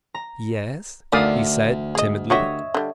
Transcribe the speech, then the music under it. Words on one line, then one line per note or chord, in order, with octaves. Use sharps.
"Yes?" he said timidly.
A#5
D2 D#3 D5 E5 F5 G#5 D#6
G#4 D#5
D3 F#4 G4 C#5 D#5 E5
D3 G3